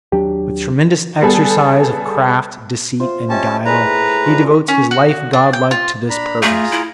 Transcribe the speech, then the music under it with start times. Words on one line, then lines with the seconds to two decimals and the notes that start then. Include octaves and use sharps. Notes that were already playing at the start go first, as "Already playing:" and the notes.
With tremendous exercise of craft, deceit, and guile, he devotes his life godlike to this purpose.
0.12 D#2 F#3 D4 G4
1.22 G3 B3 G#4 A4
3.00 F4 C5 E5
3.30 C#4 G4 D#5 E5 A5
3.65 A2 G#4 B4 A#5
4.26 D4 F4
4.68 C#4
4.91 F#4
5.33 D4
5.53 G5
5.71 F4
6.09 D4 A#5 B5
6.43 A3 F4 G#4 A#5
6.71 E4